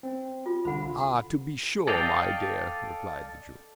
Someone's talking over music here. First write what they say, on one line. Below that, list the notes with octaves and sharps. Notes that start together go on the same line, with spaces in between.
'Ah, to be sure, my dear,' replied the Jew.
C4
F4
C2 D3 F4 F#5 B5
A4 D5 D#5 F5 G5